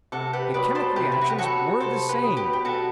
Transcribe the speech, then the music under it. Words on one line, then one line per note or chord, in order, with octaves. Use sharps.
The chemic reactions were the same.
C3 F#4 A4
G4 B4
F#3 B3 B4 D5
A4 C5
C3 G4 B4
E4
F#4
G4
F#3 B3 F#4 A4
C3 A4 C5
G4 B4
F#3 B3
G4 B4
G4
B2 F#4 A4